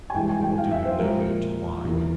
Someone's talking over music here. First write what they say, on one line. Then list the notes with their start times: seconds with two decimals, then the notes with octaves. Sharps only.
It will do him no good to whine.'
0.10 G#5
0.14 G2 E3 G#3 G5
0.29 G#5
0.43 G5
0.58 F5
0.71 E5
0.85 C5
0.99 A#2 F3 G#3 A#4
1.84 E2 E3 A#3